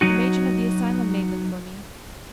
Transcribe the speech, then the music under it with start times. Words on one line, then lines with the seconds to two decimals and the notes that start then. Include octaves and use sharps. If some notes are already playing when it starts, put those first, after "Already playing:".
The matron of the asylum made them for me.
0.01 F#3 D#4 F#4